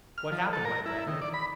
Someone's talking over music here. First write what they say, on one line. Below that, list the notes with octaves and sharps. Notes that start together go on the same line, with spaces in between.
What happened, my brethren?
F6
F3
A4
A#4
E4
D#3
D5
B5